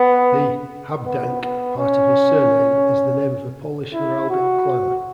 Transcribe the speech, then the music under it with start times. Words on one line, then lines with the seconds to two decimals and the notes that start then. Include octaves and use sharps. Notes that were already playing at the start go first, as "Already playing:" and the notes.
The "Habdank" part of his surname is the name of a Polish heraldic clan.
Already playing: B3
1.06 B3
1.41 B3
1.78 C#4
3.93 E4
4.30 F#4